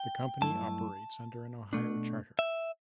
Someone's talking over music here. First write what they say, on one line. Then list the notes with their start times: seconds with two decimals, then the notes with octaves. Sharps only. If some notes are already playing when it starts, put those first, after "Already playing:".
The company operates under an Ohio charter.
Already playing: G5
0.41 G2 F#3 A3 E4 A5
1.73 B2 A3 D4
2.39 E5